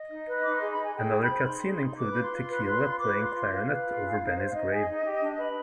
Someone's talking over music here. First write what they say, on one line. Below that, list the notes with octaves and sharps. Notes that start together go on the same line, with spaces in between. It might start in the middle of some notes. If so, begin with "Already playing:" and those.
Another cut scene included Tequila playing clarinet over Benny's grave.
Already playing: D#5
D#4
B4
D#4 D6
G#4 C6
B5
D#4 G#5
G#4 G5
D#4
B5
C5
D#4 C6
G#4
D#4
B4 D6
F4 B5
C6
F4
B4
B4
F4
B4 D6
F4
C6
F4
B4 F5
B4
F4
G#4
D#4
C5
D#4 D#5
G#4
D#4
G4
D4
B4